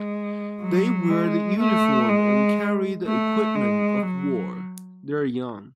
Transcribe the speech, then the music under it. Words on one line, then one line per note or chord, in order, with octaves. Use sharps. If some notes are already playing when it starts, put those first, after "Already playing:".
They wear the uniform and carry the equipment of war; they are young.
Already playing: G#3
F#3
G#3
A3
G#3
A3
G#3
F#3